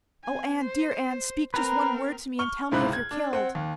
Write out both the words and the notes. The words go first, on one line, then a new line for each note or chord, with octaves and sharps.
"Oh, Anne, dear Anne, speak just one word to me and tell me if you're killed."
C4 G#5
C5
C4 A#4 B4 A#5
C#6 F6 G7
C#2 G#2 C3 E4 B5 F#6
G#6
D4
C4 F#5
D#2